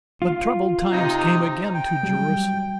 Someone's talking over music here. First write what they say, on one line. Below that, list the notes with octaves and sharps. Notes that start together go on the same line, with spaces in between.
But troubled times came again to Jerusalem.
F4
C3 D#4
G5
F#3 G3